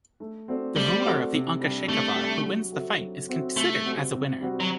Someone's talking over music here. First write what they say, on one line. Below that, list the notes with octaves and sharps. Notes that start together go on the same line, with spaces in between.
The ruler of the "Ankachekavar" who wins the fight is considered as a winner.
A3
C4 F#4 A4 D5
G3 A3
C4 F#4 A4 D5
C3
G3 D4 G4
C3 A3
G3 D4 G4
F#3
C4 F#4 A4 E5
F#3
C4 F#4 A4 E5
C3 A3
G3 C4 F#4
C3
G3 C4 F#4
F#3